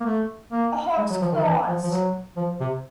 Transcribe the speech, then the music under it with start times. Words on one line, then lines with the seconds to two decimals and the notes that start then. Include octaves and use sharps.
A hawk's claws.
0.01 A#3
0.06 A3
0.52 A#3
0.98 G#3
1.10 F#3
1.21 F3
1.33 D#3
1.45 E3
1.68 F3
1.83 F3
1.91 F#3
2.37 F3
2.60 C3